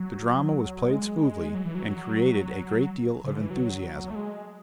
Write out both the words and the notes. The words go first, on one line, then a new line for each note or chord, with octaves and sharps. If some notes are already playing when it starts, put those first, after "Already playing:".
The drama was played smoothly, and created a great deal of enthusiasm.
Already playing: F#3
G#3
F#3
E3
F#3
C#3
D3
E3
F#3
A3
G#3